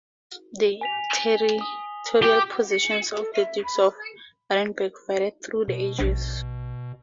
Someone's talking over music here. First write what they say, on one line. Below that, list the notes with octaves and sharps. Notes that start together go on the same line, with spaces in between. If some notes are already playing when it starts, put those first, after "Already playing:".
The territorial possessions of the dukes of Arenberg varied through the ages.
G#5 B6 F7
G7
D#6
G4
C#7
A4
E5
B5
B2
A#1